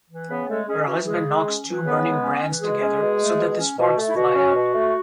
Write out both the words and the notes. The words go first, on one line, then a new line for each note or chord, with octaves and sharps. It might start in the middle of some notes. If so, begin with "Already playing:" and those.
Her husband knocks two burning brands together so that the sparks fly out.
E3
C#3 B3 B4
G#3 A3 A4
G#3 C#4 G#4
E3 F#4
C#3 G#3 G#4
G#3
C#4
E3
C#3 B3 B4
G#3
C#4
E3
B2 G#3 G#4
C#4
B2
A3
B2
C#4
B2
A3
E4
B2 F#4
C#4
B2
A3